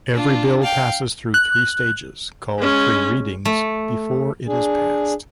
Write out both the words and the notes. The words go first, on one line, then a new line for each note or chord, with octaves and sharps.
Every Bill passes through three stages-called three readings-before it is passed.
D4 F4
F5 G5
F#6
G#3 C#4
A3
D4 G#4